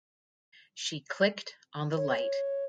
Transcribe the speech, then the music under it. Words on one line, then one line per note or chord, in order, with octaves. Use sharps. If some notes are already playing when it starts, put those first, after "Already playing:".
She clicked on the light.
C#5